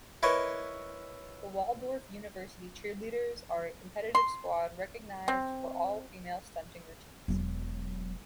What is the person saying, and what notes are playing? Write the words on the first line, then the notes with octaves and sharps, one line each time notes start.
The Waldorf University Cheerleaders are a competitive squad recognized for all-female stunting routines.
E4 A#4 B4 C#5 D#5 E5
C6
C4
E1 F#3